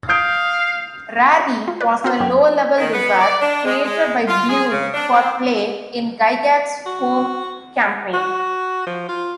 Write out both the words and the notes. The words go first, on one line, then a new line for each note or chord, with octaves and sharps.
Rary was a low-level wizard created by Blume for play in Gygax's home campaign.
F5 D#6 G6 D7
F4
B4 D5
C4 F#4 A#4 C5
F#2 G4
D#3
B3
D5
D4
G#3
G#3
F4
G#4
C#3
D4
C4
F#4
F#4
F3
F4